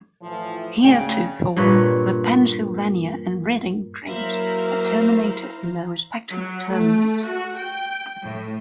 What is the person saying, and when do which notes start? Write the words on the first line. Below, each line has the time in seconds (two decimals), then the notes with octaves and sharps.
Heretofore the Pennsylvania and Reading trains had terminated in their respective terminals.
0.19 A2 E3 F3
0.83 D2 C#3 G5
1.57 G2 A#2 B4 C#5
4.08 F#3 A#3 E4 C5 F5 A#5
6.30 F#3
6.70 A3
7.26 F#4
7.58 G5
8.25 A2